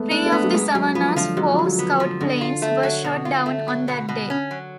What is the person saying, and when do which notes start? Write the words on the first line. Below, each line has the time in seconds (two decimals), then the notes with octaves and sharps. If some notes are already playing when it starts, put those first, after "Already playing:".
Three of the "Savannah"s four scout planes were shot down on that day.
Already playing: G#3 A3 B3
0.11 D4
0.26 A3
0.32 B3
0.44 F#3
0.53 G#2 G#3
0.75 G#2 F#3
0.95 F3 B3
1.16 D3 F3
1.37 G#2 F#3
1.52 F3
1.59 G#2
1.66 F#3
1.79 B3
2.00 F3
2.21 B2 D3
2.41 F4
2.62 A3
2.83 F#3
3.04 B2
3.25 F4
3.46 A3
3.68 F#3
3.88 B2
4.09 B2
4.30 C#4
4.51 F#3